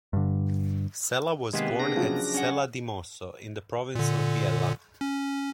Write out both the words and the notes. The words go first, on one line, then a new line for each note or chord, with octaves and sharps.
Sella was born at Sella di Mosso, in the Province of Biella.
G2 D3
C3 D#3 G#3 A#3 B3 G4 B6 C7
D4 G#4 A#6
C#3 F3 F#3
C#4 F#5
A#2 D3
C#4